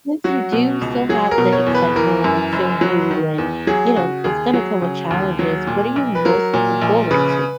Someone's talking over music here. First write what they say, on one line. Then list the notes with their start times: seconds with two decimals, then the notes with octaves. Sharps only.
since you do still have the excitement, it's still new, and you know, it's gonna come with challenges, what are you most looking forward to?
0.24 F#3 F#4
0.52 B2
0.81 C#2
1.09 F#3 G#4
1.31 A#4
1.38 B2
1.53 C#5
1.66 E2
1.74 B4
1.96 E3 A#4
2.24 F#2
2.52 F#1
2.81 F#3
3.11 D#3
3.38 E2
3.67 F#3 G#4
3.96 C#3 F#4
4.24 D#2 G#4
4.53 F#3
4.82 C#3
5.11 D#2
5.39 F#3
5.67 A#2
5.96 B1
6.15 B4
6.25 F#3 A#4
6.54 A#2
6.82 A#1
7.11 C#3 B4